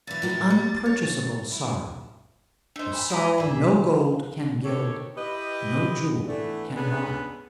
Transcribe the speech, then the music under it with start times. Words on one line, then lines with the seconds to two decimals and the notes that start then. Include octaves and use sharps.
The unpurchasable sorrow--the sorrow no gold can gild, no jewel can buy!
0.07 E2 E3 A6
0.22 A2 D#3 B3
0.50 G3
0.86 C#5
1.52 E4
2.76 A3 D4 C5 D#5
2.93 G5 G#5 B5
3.10 G#3 E4 D#5 A#5
3.38 D#2 G#2 G#4 D5 E5
3.54 G4
4.65 D3 D#3 G4 A4 C#5
5.17 E4 G4 B4 D#5
6.27 E3 A3 B3 D4 E4
6.76 B3 C#4 D4 G#4 A4 B4